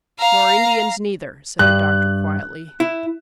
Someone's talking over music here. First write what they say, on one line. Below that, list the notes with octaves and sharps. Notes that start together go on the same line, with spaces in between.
"Nor Indians neither," said the doctor quietly.
F5 A#5
G2 F#6
E4